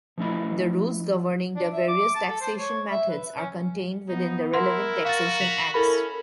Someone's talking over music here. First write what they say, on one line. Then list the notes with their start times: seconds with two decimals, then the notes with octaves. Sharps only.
The rules governing the various taxation methods are contained within the relevant taxation acts.
0.18 F3 A3 C#4 E4 D#5 B5
1.56 D4
1.73 E5
1.88 D6
2.15 A5
2.29 A4
2.41 C5
2.57 C#5
2.91 E5
3.09 B4
3.34 C#4
4.09 B3 D#4
4.54 E4 A#4 F#5 C6
5.05 F#4 F5 A6
5.41 B6 F7 F#7
5.74 C#4 E4 A4 A#4 B5